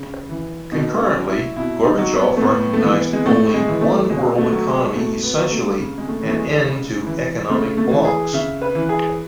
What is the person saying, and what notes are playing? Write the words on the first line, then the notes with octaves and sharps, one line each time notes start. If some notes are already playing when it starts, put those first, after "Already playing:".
Concurrently, Gorbachev recognized only one world economy-essentially an end to economic blocs.
Already playing: C#3
E3
B2 D#4
B3
C#4
F#3
E4
B2 E4
D#4
F#3
B3
A3
A2 B3
A3
E3 B3
G#3
A2 A3
G#3
E3
A3
B2 G#3
A3
F#3
G#3
B2 A3
B3
F#3
A3
C#3
G#3
A3
E3
A3
G#3
C#3
E3
C#3 A3
A3
E3
G#4
C#3 E5
B4
E3
G#4